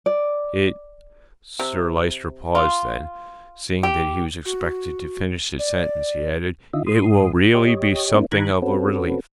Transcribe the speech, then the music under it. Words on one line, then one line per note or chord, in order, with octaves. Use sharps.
It----" Sir Lyster paused; then, seeing that he was expected to finish his sentence, he added, "It will really be something of a relief.
D5
C3
F4
G4
F#4
D5
D3 D#3 F4 D#5 E5
G#2 C6 D#6
G4 C#5 D#5
A#3 C4 D4 E4
D#3 A#5 B5 F#6 G#6
C4 C#4 F#4 A4 B4